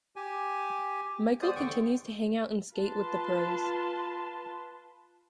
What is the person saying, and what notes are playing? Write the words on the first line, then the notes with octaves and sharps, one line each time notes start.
Michael continues to hangout and skate with the pros.
G4 G#5
G#3 B3 C5 D5 D#6
E2 D3 G5 C#6
F4 B4 A5 C6